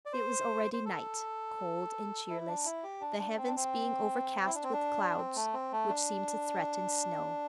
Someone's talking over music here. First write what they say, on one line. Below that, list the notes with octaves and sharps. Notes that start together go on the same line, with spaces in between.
It was already night, cold and cheerless, the heavens being overcast with clouds which seemed to threaten snow.
D5
C5
C5
A4
E4
D4
E4
G4
D4
D4
C4
D4
C4
E4
D4
C4
D4
C4
A3
C4
A3
D4